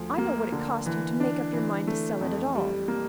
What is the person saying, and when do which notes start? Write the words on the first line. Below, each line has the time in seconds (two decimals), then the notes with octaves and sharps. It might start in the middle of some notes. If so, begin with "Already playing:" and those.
I know what it cost you to make up your mind to sell it at all.
Already playing: D2 F3
0.18 A#3
0.52 D3
0.86 E3
1.20 D4
1.53 E3
1.87 A3
2.21 F2
2.55 G3
2.88 A#3